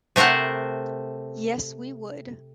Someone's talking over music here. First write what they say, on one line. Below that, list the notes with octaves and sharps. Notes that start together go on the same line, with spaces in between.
Yes we would.
C3 A3 A#4 C5 F#5